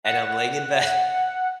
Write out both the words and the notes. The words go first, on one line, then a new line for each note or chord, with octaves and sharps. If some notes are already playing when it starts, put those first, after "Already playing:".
and I'm laying in bed
F#5